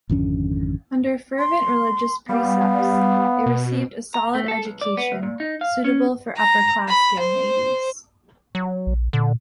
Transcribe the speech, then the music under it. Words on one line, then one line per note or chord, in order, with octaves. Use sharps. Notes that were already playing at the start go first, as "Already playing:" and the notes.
Under fervent religious precepts, they received a solid education, suitable for upper-class young ladies.
G#1 F2 D3 C#4
C6
G3 B3 F5
B2
A#5
A3
A4
B1
D5
B3
D2
A#2
D#4
F5
C#4
A#5
B5
C5
F#3
A#1
A#2 D3